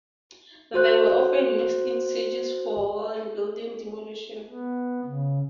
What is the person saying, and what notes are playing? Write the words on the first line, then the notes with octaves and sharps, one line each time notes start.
They were often used in sieges for wall and building demolition.
F#4 C5 F#6
B3
C#3